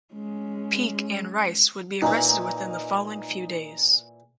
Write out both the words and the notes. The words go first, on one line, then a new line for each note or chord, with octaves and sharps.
Peak and Rice would be arrested within the following few days.
G#3 C#4
A#2 E3 D#4 A#5